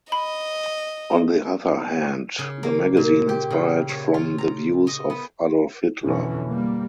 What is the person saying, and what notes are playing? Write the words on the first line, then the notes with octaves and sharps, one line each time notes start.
On the other hand, the magazine inspired from the views of Adolf Hitler.
D#5 B5
C#3
A#3
A#2
G4
C#3
C#5
F4
A#5
D#5
B3
F2 B2 D3 E3 C#4
G3 A#3